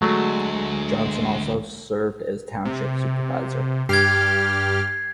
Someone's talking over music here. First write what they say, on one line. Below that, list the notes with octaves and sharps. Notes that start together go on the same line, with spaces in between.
Johnson also served as township supervisor.
D2 F#3 G#3 A3
C3
G2 G4 F6 G#6 C7